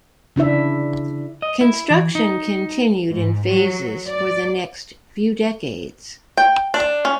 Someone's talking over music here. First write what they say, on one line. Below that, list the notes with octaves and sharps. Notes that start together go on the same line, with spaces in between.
Construction continued in phases for the next few decades.
C#3 D4 E4 E5
D#5
E4
E3
D#4
G#2
F#3
D5
G5
D4
C#4